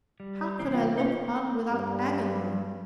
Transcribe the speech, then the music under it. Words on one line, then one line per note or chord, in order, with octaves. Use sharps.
How could I look on without agony?
G3
D5 E6
C3 E3 C4
F4 E5 G5
A#3 C#4 D#4
G2